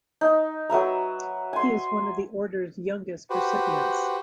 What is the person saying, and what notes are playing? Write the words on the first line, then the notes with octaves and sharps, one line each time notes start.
He is one of the Order's youngest recipients.
D#4
F#3 B4 E5 A#5
G#5 C6
F#4 G4 B4 C5